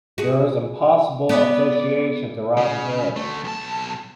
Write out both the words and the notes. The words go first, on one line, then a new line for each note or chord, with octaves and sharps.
There is an possible association to Robin Hood.
F#4 G#4
B3 D5
C#3
D2 A3
B1 A5